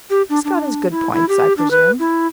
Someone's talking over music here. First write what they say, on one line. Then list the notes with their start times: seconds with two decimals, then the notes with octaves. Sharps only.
"He's got his good points, I presume."
0.10 G4
0.30 D4
0.45 D4
0.91 E4
1.13 E4
1.29 G4
1.57 D4
1.71 B4
1.99 E4